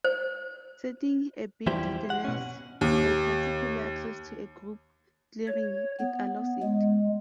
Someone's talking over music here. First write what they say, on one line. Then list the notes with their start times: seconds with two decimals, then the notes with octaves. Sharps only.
Setting a bit denies a particular access to a group; clearing it allows it.
0.04 C5
1.67 E2 F3 G3 E4 G4 C5
2.10 F#5
2.25 B2 C#4
2.81 D#2
5.47 C#5
6.00 B3
6.63 G#3